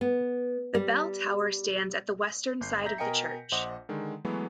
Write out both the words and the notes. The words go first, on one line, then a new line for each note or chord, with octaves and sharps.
The bell tower stands at the western side of the church.
B3
G3
G1 G6 C7
E5 A#5 G6 A#6 B6
B2 A#4 D#5 G5 G#5 C#7
A#1 C5 D#5 F#5 D6
D3 D#3 G#3
E3 F#3 G#3 A3 B3 F#4